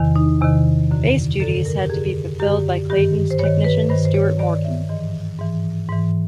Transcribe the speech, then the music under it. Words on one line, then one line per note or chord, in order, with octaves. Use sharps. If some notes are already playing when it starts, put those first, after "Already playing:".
Bass duties had to be fulfilled by Clayton's technician Stuart Morgan.
Already playing: E2 C3 D#3
D#4
E2 C3 D#3
F#2 D3
F#2 D3 A4
A#4
G4
F#2 D3 G#4
F#2 D3 G4
G2 D#3 G4
C5
G2 D#3 C#5
B4
G2 D#3 C5
C5
C#5
G2 D#3 D5
E5
G#2 E3 D#5
G#2 E3
G#2 E3